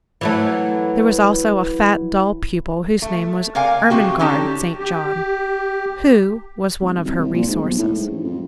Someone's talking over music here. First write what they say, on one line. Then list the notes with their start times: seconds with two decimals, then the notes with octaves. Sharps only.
There was also a fat, dull pupil, whose name was Ermengarde St. John, who was one of her resources.
0.21 E3 F#3 A3
3.02 A3
3.55 C3 A#4 D5 F5 G#5
3.90 G#3 A3 C4 F#4 G4
4.19 D3 C#4 D#4 G4 A4 A5
4.78 G4
6.81 G#1
7.05 C2
7.19 C2
7.34 A#2
7.48 G#2
7.62 B1
7.79 A2
7.98 G#2
8.11 A1
8.24 F2